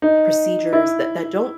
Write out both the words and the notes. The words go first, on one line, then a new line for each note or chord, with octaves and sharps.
procedures that that don't
D#4
E4